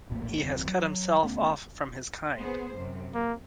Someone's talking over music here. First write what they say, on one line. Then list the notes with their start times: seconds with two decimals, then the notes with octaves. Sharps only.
He has cut himself off from his kind.
0.10 E1 A#1 A2 A#3
0.42 F#1 D#2 F#3 C4
0.68 F#3
1.23 D2 A3 B3 C#4
2.37 B3 G#4 C5
2.75 F#2 C3
3.14 A#3